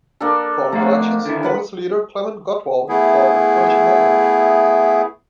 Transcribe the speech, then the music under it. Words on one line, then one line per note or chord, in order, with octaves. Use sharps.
Following the elections, Communist leader Klement Gottwald formed a coalition government.
A#3 D4 A4
F3 A3 F5 A#5
D3 D#3 E4
A#4 B4 F#5
A3 B3 E4 G#4